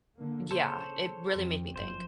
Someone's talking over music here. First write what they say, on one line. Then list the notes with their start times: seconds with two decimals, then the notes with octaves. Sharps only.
yeah, it really made me think.
0.16 D3 A#3
0.51 C#3 A4 C5 C#5
1.34 F2
1.76 F#1 F3 C5